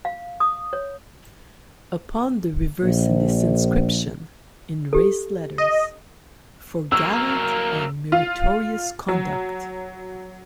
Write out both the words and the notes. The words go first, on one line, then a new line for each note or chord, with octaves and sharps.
Upon the reverse in this inscription, in raised letters: For gallant and meritorious conduct.
F5
D#6
C#5
A#1
G4 A4
D#5
F#3 A#3 A#4 E6
F4
F#3